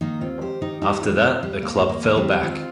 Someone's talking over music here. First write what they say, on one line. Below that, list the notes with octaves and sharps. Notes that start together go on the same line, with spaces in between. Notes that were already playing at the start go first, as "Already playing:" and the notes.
After that, the club fell back.
D#3 A#3 D#4
D#2 C4 F4
D#3 G4 C5
D#3 D#4 G4
D#2 D#4 G4
D#3 C4 F4
D#2 C4 F4
D#2 G3
D#2 A#3
D#2
A#3
D#2
G3 C4
D#3
D#3 C4 F4